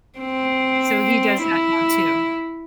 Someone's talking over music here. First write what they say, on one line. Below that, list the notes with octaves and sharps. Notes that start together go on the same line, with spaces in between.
So, he does that now too.
C4
E4